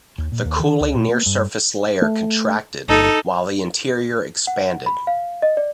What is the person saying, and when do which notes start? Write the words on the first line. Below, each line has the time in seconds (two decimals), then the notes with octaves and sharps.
The cooling near-surface layer contracted, while the interior expanded.
0.18 D#2
0.32 A#2
0.45 D#2
0.60 D#3
0.80 C#2
0.94 A#2
1.09 A#3
1.26 G2
2.02 A3
2.89 G1 D#4 A4
4.47 F#5
4.86 B5
5.07 F5
5.42 D#5
5.57 D5